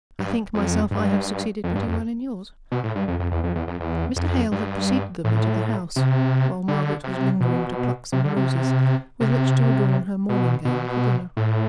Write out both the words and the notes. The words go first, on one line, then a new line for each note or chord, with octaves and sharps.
I think myself I have succeeded pretty well in yours.' Mr. Hale had preceded them into the house, while Margaret was lingering to pluck some roses, with which to adorn her morning gown for dinner.
G2
F2
G2
F2
G2
F2
B2
A2
G2
F2
F2
E2
F2
E2
F2
E2
F2
G2
A2
C3
D3
C3
B2
C3
D3
C3
C3
B2
B2
A2